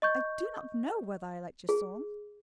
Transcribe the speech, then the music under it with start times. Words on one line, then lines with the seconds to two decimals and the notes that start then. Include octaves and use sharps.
"I do not know whether I liked your song."
0.02 D#5 C#6 G6
1.69 G#4